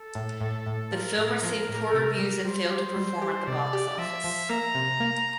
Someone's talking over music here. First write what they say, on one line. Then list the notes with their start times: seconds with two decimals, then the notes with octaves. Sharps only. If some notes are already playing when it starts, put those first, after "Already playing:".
The film received poor reviews and failed to perform at the box office.
Already playing: A4
0.15 A2
0.41 A2
0.66 A2
0.91 F3 A#4
1.18 A2
1.43 F3
1.68 A2
1.94 C3
2.19 G3
2.45 G3 C5
2.70 G4
2.96 G3
3.22 G4
3.47 C3 D5
3.73 G4
3.98 F3 E5
4.24 F3
4.49 A#3 A#5
4.75 C3
5.00 A#3